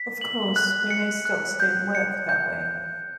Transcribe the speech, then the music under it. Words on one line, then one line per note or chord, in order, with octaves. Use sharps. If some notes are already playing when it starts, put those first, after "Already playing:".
"Of course, we know stocks don't work that way".
Already playing: B6
F#7
F#6
C#7
F#6
G6
C#7
G6